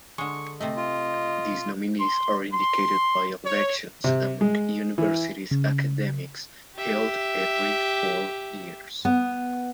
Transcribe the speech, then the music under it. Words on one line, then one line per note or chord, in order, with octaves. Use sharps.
These nominees are indicated by elections among university's academics held every four years.
D3 G#3 C#6
C3 A3 D#5
F4
C6
C6
C#5
C3
G#3
E3
C#3
G4 E5
B3